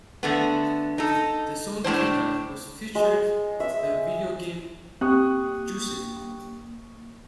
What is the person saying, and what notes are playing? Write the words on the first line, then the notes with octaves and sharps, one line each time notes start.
The song "Killa" was featured the video game "Juiced".
D3 A3 B3
D#4 A4
A2 C#4 D4 C5
G#3
E5
A#3 C4 G4 C#6 D#6 F#6